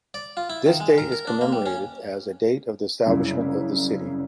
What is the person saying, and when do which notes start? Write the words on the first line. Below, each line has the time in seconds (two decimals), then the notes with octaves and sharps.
This date is commemorated as a date of the establishment of the city.
0.14 D5
0.37 F4
0.50 E4
0.66 D#3
0.80 G#3
0.98 A#4
1.12 A#4
1.27 D4
1.41 A#3
1.53 G3
1.66 C#4
3.06 C2 F#2 C#3 E4